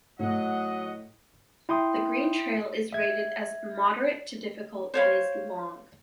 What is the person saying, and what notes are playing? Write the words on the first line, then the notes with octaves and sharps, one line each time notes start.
The green trail is rated as "moderate to difficult" and is long.
A2 F#3 D#5 F#5
E4 G5 C6 D#6
E5 G#6
C5 C#5 F5